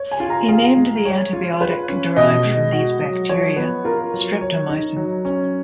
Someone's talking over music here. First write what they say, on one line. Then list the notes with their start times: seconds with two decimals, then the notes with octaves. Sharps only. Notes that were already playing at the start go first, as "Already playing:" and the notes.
He named the antibiotic derived from these bacteria streptomycin.
Already playing: C#5
0.11 G#5
0.20 F4
0.30 A#5
0.48 G#4 F5
0.77 G#3
1.05 C#5
1.33 F4
1.61 B4
1.88 C#4
2.16 B2 D#5
2.45 G#3
2.72 F#4
3.01 F#3
3.29 F3 C#5
3.56 B3
3.85 F4 A#4
4.13 F#3
4.41 C#5
4.69 D#4
4.97 F#3
5.25 C#4